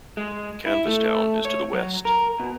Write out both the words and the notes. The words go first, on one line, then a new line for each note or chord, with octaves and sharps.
Canvastown is to the west.
G#3
E4
A3
C#5
F#3
A#4
B2